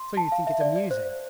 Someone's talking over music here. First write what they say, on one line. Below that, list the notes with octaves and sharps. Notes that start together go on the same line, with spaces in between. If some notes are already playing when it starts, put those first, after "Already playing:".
"So you think it amusing?"
Already playing: C6
A5
F5
E5
D5
D5
C5